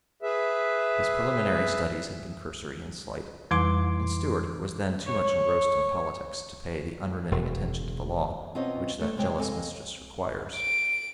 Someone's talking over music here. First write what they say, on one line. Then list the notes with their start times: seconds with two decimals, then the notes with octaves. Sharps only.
His preliminary studies had been cursory and slight, and Stuart was then too much engrossed in politics to pay the unremitting attention to the law which that jealous mistress requires.
0.23 G#4 B4 E5
3.51 F2 E3 G3 C6 D6
5.07 C#5
7.32 E1
8.55 B2 C4 C#4 F4 C#5 D#5
9.00 C3 A3 A4
9.17 C3 G#3 C#5 G5 G#5
9.38 C4 A4 D#5 F5 G#5
10.55 D7